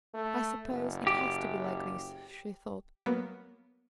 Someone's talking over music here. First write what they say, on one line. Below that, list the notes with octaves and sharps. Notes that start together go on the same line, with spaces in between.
"I suppose it has to be like this!" she thought.
A3
F#1
G4
F#3 A#3 B3